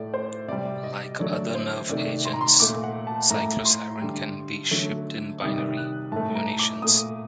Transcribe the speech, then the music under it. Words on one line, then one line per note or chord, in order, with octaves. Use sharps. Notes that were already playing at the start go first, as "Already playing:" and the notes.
Like other nerve agents, cyclosarin can be shipped in binary munitions.
Already playing: A2 A3 D5
C5
C3 G3 D5
D#5
D3 F#3 A3 D5
C5
C3 D#3 A3 D5
C6
A#5
C6
A#2 A3 D6
F#5
A5
A2 A3 A#5
C6
D3 G3
D3 F#3 A3
C3 D#3 G3 D#6
F#6
A2 A3 A5
A#5
D6
A#2 A3 D#6